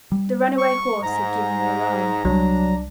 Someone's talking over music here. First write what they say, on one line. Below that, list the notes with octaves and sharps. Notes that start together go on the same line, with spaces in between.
The runaway horse had given the alarm.
G3
C#6
G#2 A#5
C2 F#3 G3 D4